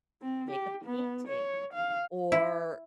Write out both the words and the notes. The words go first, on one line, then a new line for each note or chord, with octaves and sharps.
make a painting, or
C4
G4
B3
C#5
F5
E4